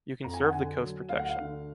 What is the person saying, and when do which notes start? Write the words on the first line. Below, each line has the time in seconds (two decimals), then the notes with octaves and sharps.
You can serve the coast protection.
0.24 F2 A#5
0.34 G#5
0.43 F#5
0.53 D3 G#5
0.81 F#3
1.09 D2 F5
1.19 F#5
1.29 F5
1.38 D3